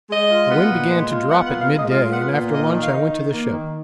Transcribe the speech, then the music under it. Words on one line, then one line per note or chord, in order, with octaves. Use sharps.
The wind began to drop at midday, and after lunch I went to the ship.
G#3 D#5
F4
B3
A#2
G#3
F4
B3 F#5
F#5
A#2
F5
G#3
D#5
F4 F5
B3 F#5
A#2 F5
A#3 D#5
D#3
F5
D#4
D#3
A#3
D#3